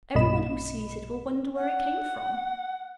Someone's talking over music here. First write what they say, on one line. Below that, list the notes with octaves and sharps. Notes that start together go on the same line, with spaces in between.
"Every one who sees it will wonder where it came from."
B1 G2 A#2 D#5 B5 E7
F#5